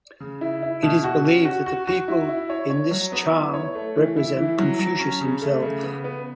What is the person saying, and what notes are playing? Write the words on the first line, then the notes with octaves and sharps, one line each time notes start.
It is believed that the people in this charm represent Confucius himself.
C#3
E4
E4
B2
F#4
C#4
F#4
F#4
F#4
E4
E4
C#5
C#5
F#3
B3
E4
C#5
A3
E3
E4
E3
F#3
F#3
C#4
C#3
A3
C#3
B3
B3